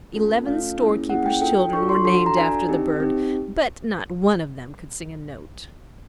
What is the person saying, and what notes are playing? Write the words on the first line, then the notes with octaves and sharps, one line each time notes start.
Eleven storekeepers' children were named after the bird, but not one of them could sing a note.
A3 C#4 F4 A4
A3 C#4 F4 A4 F5
A#3 C#4 E4 G#4
A#3 C#4 E4 G#4 F#5
G5
D4 F4 A4 G5
D4 F4 A4 C#6
C6
D4 F#4 A4 C6
A#5
D4 F#4 A4 G#5
C4 D#4 G4
C4 D#4 G4